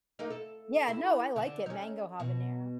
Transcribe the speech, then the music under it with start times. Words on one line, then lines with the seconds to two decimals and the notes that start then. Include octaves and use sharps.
Yeah, no, I like it, Mango Habanero.
0.19 A3 A#3 D#4
0.30 A4
0.88 E4
1.36 D3
1.66 C#4 D#4
2.20 B2